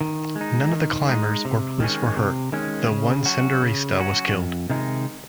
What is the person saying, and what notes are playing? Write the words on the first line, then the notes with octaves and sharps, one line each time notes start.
None of the climbers or police were hurt, though one Senderista was killed.
D#3
G#3
D#4
D#3
G#3 D#4
C3
D#3 G#3 C#4
C3
D#3 G#3 C#4
C#3
F#3 C#4 F#4
C#3
F#3 C#4 F#4
F2
C3 D#3 G#3 D#4